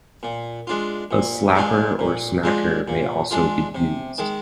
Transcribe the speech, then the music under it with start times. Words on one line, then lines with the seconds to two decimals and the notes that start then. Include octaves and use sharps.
A slapper or smacker may also be used.
0.23 A#2
0.67 G#3 D4 F4
1.11 A#2
1.55 G#3 D4 F4
1.99 A#2
2.43 G#3 D4 F4
2.88 A#2
3.31 G#3 D4 F4
3.75 C3
4.18 D#3 G#3